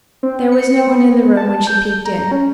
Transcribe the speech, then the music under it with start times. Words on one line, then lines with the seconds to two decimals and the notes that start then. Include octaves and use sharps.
There was no one in the room when she peeped in.
0.23 C4
0.52 C#7
0.87 B3
1.37 A5
1.67 G6
2.05 A#5
2.31 C#4